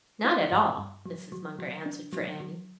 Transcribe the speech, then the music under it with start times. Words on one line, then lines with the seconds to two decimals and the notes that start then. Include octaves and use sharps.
"Not at all!" Mrs. Munger answered for Annie.
0.24 E4
0.51 G2
0.78 G2
1.06 F#3
1.32 F#3
1.59 F#3
1.86 D4
2.13 F#3
2.40 F#3